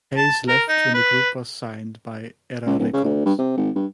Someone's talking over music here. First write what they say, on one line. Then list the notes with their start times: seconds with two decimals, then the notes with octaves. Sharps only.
Hays left when the group was signed by Era Records.
0.17 A5
0.49 A#4
0.69 D#4
0.94 B4
2.66 C#2
2.79 D1
2.93 C#3
3.05 D2
3.25 G2
3.38 C3
3.57 G#1
3.75 G2